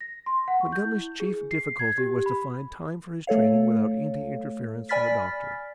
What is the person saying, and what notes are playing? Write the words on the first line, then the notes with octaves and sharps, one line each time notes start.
Montgomery's chief difficulty was to find time for his training without any interference from the doctor.
A#6
C6
F#5
C#6
G6
E4
G#4
C7
G#6
G4
B5
A3 A4 C#5 F5
D5 G#5 B5 F6 A6 B6